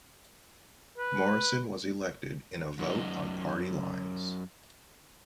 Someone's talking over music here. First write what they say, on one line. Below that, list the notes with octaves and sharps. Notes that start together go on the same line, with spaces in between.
Morrison was elected in a vote on party lines.
B4
F#2 D#4